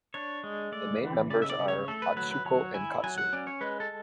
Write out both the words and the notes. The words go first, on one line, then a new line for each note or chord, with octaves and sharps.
The main members are Atsuko and Katsu.
D4 C#5
G#3
A3 D5
E3
C#3 D5
E5
D5
C#3
C#5
A3 A4
B4
F#3 B4
B4
F#3 C#5
E4 G#5
F#3 G#5
F#5
C#4 D5
C#5
G#3 B4
A4